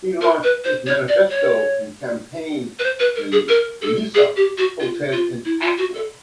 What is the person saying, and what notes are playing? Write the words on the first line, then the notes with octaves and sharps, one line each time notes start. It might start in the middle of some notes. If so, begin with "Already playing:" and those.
He launched his manifesto and campaign at the Alisa Hotel in Accra.
A#4
B4
C5
C#5
D5
C#5
B4
C5
B4
A#4
G#4
A#4
A4
G#4
G4
F#4
F4
F4
E4
F4
F#4
A4